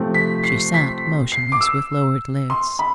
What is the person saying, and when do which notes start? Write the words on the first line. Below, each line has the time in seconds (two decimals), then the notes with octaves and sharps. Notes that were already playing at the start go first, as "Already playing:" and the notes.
She sat motionless, with lowered lids.
Already playing: C3 F3 A3 C4
0.14 B6
0.44 C7
0.74 B6
1.32 C7
1.52 D6
1.61 E6
2.50 C6
2.79 B5